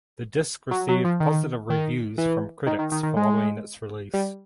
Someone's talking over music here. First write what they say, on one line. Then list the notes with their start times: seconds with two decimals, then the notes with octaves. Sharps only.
The disc received positive reviews from critics following its release.
0.71 F#3
0.88 F#3
1.04 F3
1.20 D#3
1.70 D#3
2.18 E3
2.66 D#3
2.79 D#3
2.92 D#3
3.03 D#3
3.16 G#3
4.14 G3